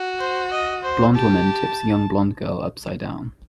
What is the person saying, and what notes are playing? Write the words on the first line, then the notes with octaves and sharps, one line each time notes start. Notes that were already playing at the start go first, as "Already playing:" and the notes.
A blond woman tips a young blond girl upsidedown.
Already playing: F#4
C5
D#5
C5
G4 A5